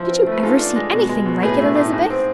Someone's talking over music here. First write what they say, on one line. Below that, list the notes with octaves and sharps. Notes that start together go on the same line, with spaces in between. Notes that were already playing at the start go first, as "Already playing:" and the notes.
"Did you ever see anything like it, Elizabeth?"
Already playing: F3 E4
C4
A3 B4
G#2 F4 A4
D4
G#3
B2
G#3
B2
A2 G#4 B4
A3
A2
G#2
C4